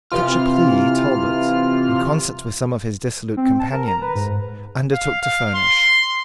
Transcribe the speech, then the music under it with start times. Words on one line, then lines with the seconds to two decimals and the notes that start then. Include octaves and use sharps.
Such a plea Talbot, in concert with some of his dissolute companions, undertook to furnish.
0.10 C3 E3 F4 F6
3.37 C4
3.59 A5
3.73 A#4
3.87 A#5
4.02 B4
4.16 G#2
4.93 F5
5.22 F5
5.55 C6